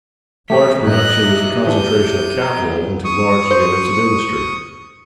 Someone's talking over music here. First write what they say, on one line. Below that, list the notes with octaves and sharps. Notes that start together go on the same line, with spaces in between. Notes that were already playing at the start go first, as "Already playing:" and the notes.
Large production is the concentration of capital into large units of industry.
E3 A3 C#4 G4 C#5 B6
A2 D#4 D#5 F#6
G4 E5
E3 D4 G6 D#7
F3 A#5
C#6 D#6
C5